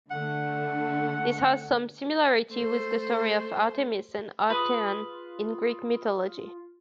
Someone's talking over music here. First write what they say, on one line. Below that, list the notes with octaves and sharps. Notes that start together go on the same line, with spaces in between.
This has some similarity with the story of Artemis and Actaeon in Greek mythology.
D3 A3 F#5
A3 C5
F4 G#4 B4